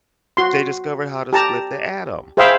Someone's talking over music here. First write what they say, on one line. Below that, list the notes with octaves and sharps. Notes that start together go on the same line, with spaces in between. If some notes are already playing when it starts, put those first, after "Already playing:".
they discovered how to split the atom
F#4 C6
G4 A5 A#5
G#4 C5 E5 F5 G5 B5